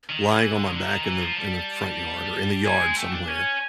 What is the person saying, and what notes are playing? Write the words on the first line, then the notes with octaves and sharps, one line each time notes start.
lying on my back in the in the front yard or in the yard somewhere
D#3
E3
D3
D#3
D3 A#5
D#3
E3
F3
G3 A5
G3 G#5
G#3
A3 G5
D4
C#4 G#5